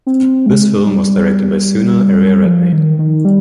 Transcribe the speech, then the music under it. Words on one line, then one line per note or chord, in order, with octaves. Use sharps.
This film was directed by Sunil Ariyaratne.
C4
G#3
G3
F3
D#3
D#3
G3